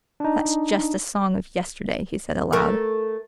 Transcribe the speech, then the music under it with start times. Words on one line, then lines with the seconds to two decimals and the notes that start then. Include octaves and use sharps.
"That's just a song of yesterday," he said aloud.
0.20 D4 D#4
2.53 A3 A#4